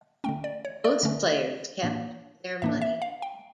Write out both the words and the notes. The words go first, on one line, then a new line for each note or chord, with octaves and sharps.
Both players kept their money.
D3 A3 C#4 G5
D5
C#5
D5
D3 A3 C#4
A2 E3 A#3 D4
A2 E3 A#3 D4 E5
E5
F5
G5